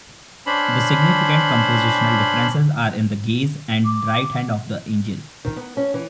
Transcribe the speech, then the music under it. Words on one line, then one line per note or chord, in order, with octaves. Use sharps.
The significant compositional differences are in the gaze and right hand of the angel.
C#4 D4 C5 B5
D6
D#3
B3
C#4
E3